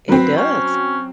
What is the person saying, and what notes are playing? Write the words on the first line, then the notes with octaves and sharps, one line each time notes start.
It does.
F#3 C4 B4
C#4